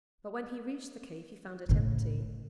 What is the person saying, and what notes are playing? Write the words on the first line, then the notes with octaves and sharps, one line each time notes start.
But when he reached the cave he found it empty.
A2 C#3